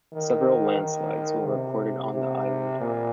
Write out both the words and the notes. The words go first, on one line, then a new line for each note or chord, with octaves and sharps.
Several landslides were reported on the island.
D#3
D#3
C3
C3
A#2